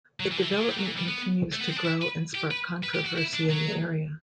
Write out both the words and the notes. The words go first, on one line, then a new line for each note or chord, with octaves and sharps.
The development continues to grow and spark controversy in the area.
F#3
E3
D3
E3
G3
F#3
G3
F#3
E3
G3
B3
A3
B3
C4
D4
E4
B4
G4
B4
B4
G4
F#4
E4
D4
F#3